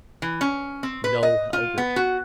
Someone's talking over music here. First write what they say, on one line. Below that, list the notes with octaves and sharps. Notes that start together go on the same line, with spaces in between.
No, Halbert!
E3
C#4
C4
B4
D#5
F4
B3
F#4